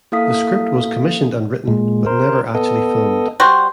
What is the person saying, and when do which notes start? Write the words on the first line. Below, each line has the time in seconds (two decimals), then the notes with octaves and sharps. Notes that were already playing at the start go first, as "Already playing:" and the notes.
The script was commissioned and written, but never actually filmed.
0.12 A#3 E4 A4 F5 D#6 B6
1.68 A#2 G#3
2.06 A#4 C5
2.55 B3 A4 D#5
3.40 G3 F#4 C5